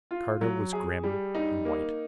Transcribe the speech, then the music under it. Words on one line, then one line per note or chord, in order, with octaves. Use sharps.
Carter was grim and white.
F4
F#3
G#4
G3
D#4
A#3